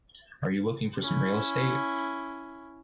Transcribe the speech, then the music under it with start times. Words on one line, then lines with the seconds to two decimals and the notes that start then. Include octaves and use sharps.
Are you looking for some real estate.
1.02 C#4 E4